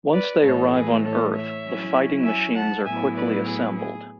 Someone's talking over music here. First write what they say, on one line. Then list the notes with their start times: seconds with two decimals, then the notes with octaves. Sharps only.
Once they arrive on Earth, the fighting machines are quickly assembled.
0.13 B4 D5
0.43 A2 E3 A3 A4 C#5
0.73 G#4 B4
1.04 A4 C#5
1.34 C#5 E5
1.64 F#3 C#4 E4
2.24 E5 G#5
2.55 F#5 A5
2.85 A2 F#3 B3 E4 E5 G#5
3.15 B4 D5
3.46 G#4 B4
3.76 G#4